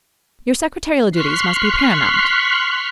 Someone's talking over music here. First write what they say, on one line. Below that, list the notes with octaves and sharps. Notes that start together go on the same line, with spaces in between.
Your secretarial duties must be paramount.
C6 C#6 F6 F#6 B6 C7